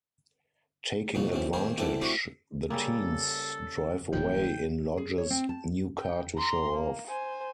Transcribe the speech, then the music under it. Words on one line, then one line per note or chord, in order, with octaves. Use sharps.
Taking advantage, the teens drive away in Lodge's new car to show off.
C2 F2 A#2 B3 D#4
F#2 D3 E3 C4
D#3 A#3 C4 G#4 C5
D3 E3 G3 C4 E4 A4
A3 C4 D4 E4 F#4 G4
C#3 G3 A#3 A4
D#1 A#2 F3 G5
G#4
C#5
C4
A5
G5
A#5 C6
A#3
C5 G#5